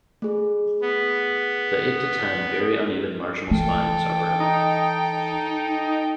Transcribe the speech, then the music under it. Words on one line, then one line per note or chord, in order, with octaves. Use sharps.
The eight to ten very uneven marginal spines are brown.
A3 G#4
B3
E3 A4 G5
D#4